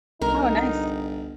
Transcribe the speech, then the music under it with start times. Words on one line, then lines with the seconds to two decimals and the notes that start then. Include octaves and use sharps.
Oh, nice.
0.21 G1 C2 D#4 A#4